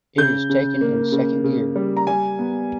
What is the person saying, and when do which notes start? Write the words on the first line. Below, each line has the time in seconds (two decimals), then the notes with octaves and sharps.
It is taken in second gear.
0.18 C#3 G6
0.49 C#3
0.81 A#3
1.12 C#3
1.44 C#3
1.76 G3
1.97 A#5
2.07 G3 G#5
2.39 B3